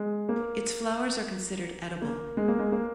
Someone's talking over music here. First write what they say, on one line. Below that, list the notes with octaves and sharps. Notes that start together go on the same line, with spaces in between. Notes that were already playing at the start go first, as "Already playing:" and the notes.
Its flowers are considered edible.
Already playing: G#3
A#3
A#3
G#3
A#3
G#3
A#3